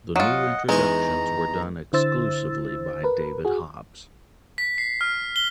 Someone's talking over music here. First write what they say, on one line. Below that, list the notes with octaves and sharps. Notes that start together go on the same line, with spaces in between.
The new introductions were done exclusively by David Hobbs.
F#3 F4 D#5 F#5
E2 G#3 D#4 A#5 C#6
D3 E4 C5 E6 A6
A#4 B4
F#4 G#4
B6
C7
F6
G7